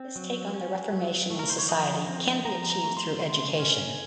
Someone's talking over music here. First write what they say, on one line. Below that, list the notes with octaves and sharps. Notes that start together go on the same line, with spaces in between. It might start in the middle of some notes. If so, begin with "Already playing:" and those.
His take on the reformation in society can be achieved through education.
Already playing: C4
F#3
C#4
F#3
A3
A#4
C5
C#5
F3 D#5
C4
F3 A#5
A#5
A3
C6
C#3 C6
C#4